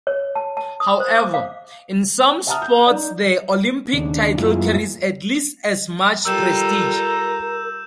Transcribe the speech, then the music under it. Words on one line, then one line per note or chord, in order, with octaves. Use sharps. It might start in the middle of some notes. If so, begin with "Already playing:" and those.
However, in some sports the Olympic title carries at least as much prestige.
C#5
A5
A5
D#6
C5
D6
F5
E5 F#5 A5 A#5 D#6 F6
G6
D#4 D5
D#2 C#3 D4
F#2 G#3 A#3 E4 F4
G3 F4 A4 A#4 A#5 E6 G6 E7